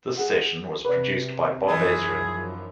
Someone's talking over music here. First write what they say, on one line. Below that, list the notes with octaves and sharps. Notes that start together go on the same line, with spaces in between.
This session was produced by Bob Ezrin.
G#4 F#5
C3 B4 D5
F#2 E3 F3 D#4 F4 G#4